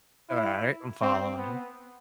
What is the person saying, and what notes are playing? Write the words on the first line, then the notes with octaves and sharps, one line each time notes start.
All right, I'm following you.
E4
C4
B3